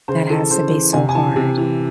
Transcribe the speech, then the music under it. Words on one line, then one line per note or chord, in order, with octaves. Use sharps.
That has to be so hard.
C#3 C5
E3 A4
C#3 C5
E3
C3 G#5
G#5
E3 A5
C3
E3